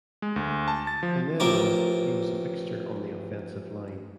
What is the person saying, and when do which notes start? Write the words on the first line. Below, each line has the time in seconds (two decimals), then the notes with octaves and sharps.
From then on, he was a fixture on the offensive line.
0.22 G#3
0.36 D2
0.68 A5
0.87 A6
1.03 F3
1.40 A1 F3 A#4 D6